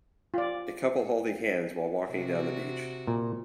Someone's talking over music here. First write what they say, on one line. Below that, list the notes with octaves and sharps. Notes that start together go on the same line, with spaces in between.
A couple holding hands while walking down the beach.
F4 D5
C3 F#4
A#2